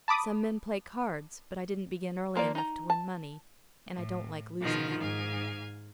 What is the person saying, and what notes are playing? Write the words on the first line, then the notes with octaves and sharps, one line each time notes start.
Some men play cards; but I didn't begin early enough to win money, and I don't like losing it.
A5 B5 D6 D#6
F3 A#3 A#4 D5
D#4 A#5
A5
A2
B2 D#3 F3 G#3 F4
G#2 F5 G#5